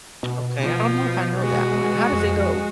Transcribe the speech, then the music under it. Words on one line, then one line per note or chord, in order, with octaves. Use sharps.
Okay, I don't know if I know that one. How does it go?
B2
F3
G#3 F#4
F2